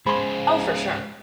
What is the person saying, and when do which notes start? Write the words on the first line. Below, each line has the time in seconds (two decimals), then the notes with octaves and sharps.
Oh, for sure.
0.07 C#2 F3 G#3 G#4 C5 B5 C6